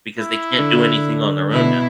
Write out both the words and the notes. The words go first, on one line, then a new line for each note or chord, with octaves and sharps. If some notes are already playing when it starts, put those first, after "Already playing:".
because they can't do anything on their own now.
E4
D3
B2 E4